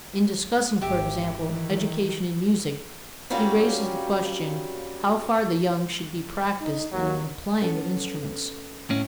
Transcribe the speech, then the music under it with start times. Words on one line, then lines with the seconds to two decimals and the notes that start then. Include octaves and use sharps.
In discussing, for example, education in music he raises the question how far the young should be practiced in the playing of instruments.
0.82 G#1 G4 E5
1.34 D#3 E3
3.30 F#3 G3 A#3 C4 C#4 F4
6.61 D#4
6.92 D#2 F#3
7.62 B3 C#4 A4
8.90 A2 C#4 F5